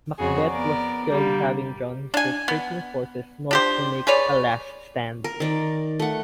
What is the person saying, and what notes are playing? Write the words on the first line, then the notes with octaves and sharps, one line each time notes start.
Macbeth was killed, having drawn his retreating forces north to make a last stand.
F2 C#3 F#4 G#4
B3 A#4 D5
D3 G3 A#3
D4 G#5
B3
D4 G4 C5
G#4 B4 C#5 D5
A#4
D#3 D5
A3 F#5